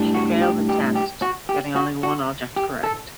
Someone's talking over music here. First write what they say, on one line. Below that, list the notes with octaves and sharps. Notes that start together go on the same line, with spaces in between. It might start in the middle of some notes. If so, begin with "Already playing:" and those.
She failed the test getting only one object correct.
Already playing: A2 G3 D4
F#4
G4
G4
G4
F#4
G4
F#4
F#4
G4
A4